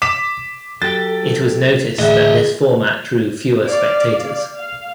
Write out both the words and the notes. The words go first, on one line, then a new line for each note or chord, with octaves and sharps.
It was noticed that this format drew fewer spectators.
D6 B6 E7
F#3 G4 A4 A6
D2 A2 E3 G#4 D#5 E5
D5 F5
F5